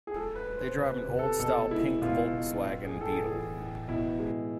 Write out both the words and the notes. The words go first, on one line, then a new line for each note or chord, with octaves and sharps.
They drive an old style pink Volkswagen Beetle.
G#4
G#3 A4
B4
G#3
C5
C3 B4
C3
A4
B2 A4
G#3 E4
B2 F4
B2
A2 F4
G#4
A2
A4
G#4
E3 G#4
A2
B2 E4
G#3